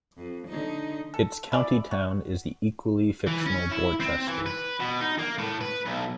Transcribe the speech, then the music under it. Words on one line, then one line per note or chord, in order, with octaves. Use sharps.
Its county town is the equally fictional Borchester.
F2
D3 D#4
A4
E4 G#4 D5
F#4
E3
C#4
E4
C4
E3
B4
B2
D#4
A#3
A2
B4
B1